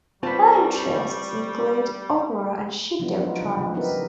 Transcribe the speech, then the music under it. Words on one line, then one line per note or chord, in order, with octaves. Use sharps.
Her interests include opera and sheepdog trials.
G3 C4 F4 B4 C5 A5 C#6
F3 F#3 B3 D4 E4 F#4
F#3 G#3 B3 D#4 F4 F#4
C#3 F#3 F#5
C#3 F3 G4
B3 D#4 E4 G4 A#4 B4
F3